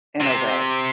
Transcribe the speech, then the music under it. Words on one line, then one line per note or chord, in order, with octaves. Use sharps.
in a way
C3